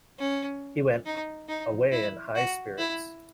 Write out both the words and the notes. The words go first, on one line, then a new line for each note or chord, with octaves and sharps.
He went away in high spirits.
C#4
D#4
D#4
E4
F#4
E4